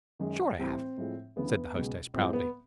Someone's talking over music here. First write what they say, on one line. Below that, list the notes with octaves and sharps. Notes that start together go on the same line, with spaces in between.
"Sure I have," said the hostess proudly.
F#2 D#3 G#3
A2 E3 G3 C4
A2 F3 G#3
D2 C#3 E3 B3
C#2 B2 G#3
A2 F3 G#3 C4
B3